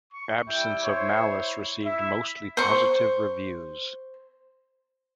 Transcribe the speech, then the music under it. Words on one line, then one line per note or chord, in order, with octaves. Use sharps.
"Absence of Malice" received mostly positive reviews.
C#6
G3 E4 G5
C5 C#5
E4 E5
C5 C#6